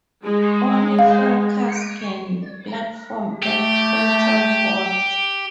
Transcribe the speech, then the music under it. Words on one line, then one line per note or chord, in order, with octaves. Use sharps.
Only four cars can platform at Croton Falls.
G#3
F5
A3 G4